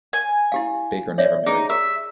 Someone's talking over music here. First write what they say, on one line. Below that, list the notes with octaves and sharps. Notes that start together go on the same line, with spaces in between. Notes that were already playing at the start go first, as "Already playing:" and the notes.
Baker never married.
G#5
E4 G4 F5
C#5 D5 E5
D#4 G#4
G4 E5